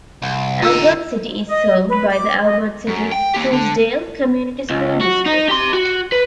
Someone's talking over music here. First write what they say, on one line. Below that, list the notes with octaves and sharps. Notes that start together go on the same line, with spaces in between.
Albert City is served by the Albert City-Truesdale Community School District.
C2
D3 D#4 F4 D#6 E6
D#5
B4
D6
D#5
F#2
G5
A#3 G4
D3
C#2
F#4
D#4
G4 C6
F#4
B4